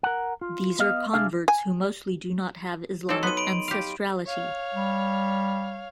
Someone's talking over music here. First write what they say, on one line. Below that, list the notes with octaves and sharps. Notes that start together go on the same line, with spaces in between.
These are converts who mostly do not have Islamic ancestrality.
A#4 F#5
F4
B3 D#5 F5
C2 D4 G#4 E5 F5
G#5
F#3 C4 D#4 A4 C#5
B3 C6 D#7
B5 D7
G4 F5
C#5 F5
G3